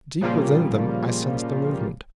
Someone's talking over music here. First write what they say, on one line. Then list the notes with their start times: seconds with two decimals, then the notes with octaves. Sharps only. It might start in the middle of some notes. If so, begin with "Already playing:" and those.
Deep within them I sensed a movement.
0.21 A#2 C#3 F3 G3 A#3 F4